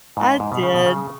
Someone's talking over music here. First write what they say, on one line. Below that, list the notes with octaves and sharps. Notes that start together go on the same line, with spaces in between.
I did.
G#2
G#2
B2
C#3
B2
C#3